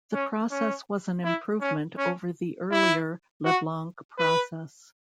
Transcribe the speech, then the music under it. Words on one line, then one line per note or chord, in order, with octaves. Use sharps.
The process was an improvement over the earlier Leblanc process.
C#4
C#4
E4
C#4
C#4
E4
F#4
B4